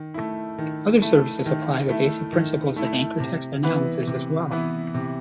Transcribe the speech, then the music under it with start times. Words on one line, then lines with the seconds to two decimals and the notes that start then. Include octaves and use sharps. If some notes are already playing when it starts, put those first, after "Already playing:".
Other services apply the basic principles of anchor text analysis as well.
Already playing: D#3
0.14 A3 E4
0.58 D#3
1.02 A3 E4
1.46 D#3
1.89 A3 E4
2.33 D#3
2.76 A3 E4
3.20 C3
3.63 E3 B3 E4 B4
4.07 C3
4.51 E3 B3 E4 B4
4.94 C3